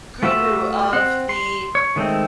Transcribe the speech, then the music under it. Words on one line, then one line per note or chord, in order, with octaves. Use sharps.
guru of the
A3 F4 F#4 B4 E5
C4 F#5
C6
C#5
D#3 G#3 A3 C4